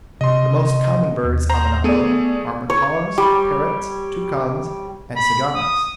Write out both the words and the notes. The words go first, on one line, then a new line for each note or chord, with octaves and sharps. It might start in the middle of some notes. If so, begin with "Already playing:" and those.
The most common birds on the Napo are macaws, parrots, toucans, and ciganas.
C3 D#5 C6
D#2
C5 A#5
A3 B3 G#4 D5 D#7
C#5
G3
B5
D#6